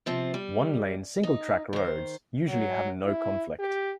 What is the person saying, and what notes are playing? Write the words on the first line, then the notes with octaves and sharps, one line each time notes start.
One-lane single-track roads usually have no conflict.
C3 F3 C4
G3
D#4
D#3 C5
F#3
E4
G4